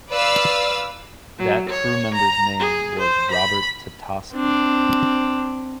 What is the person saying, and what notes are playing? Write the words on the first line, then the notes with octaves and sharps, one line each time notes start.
That crew member's name was Robert Tatosky.
B4 D5 F5 E6
F#3
C#5
A#5
G#4
C5
B5
C4 D4